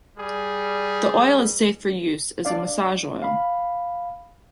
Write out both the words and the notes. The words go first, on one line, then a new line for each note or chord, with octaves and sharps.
The oil is safe for use as a massage oil.
G3 G#4
D4 D5 F5
F5 B5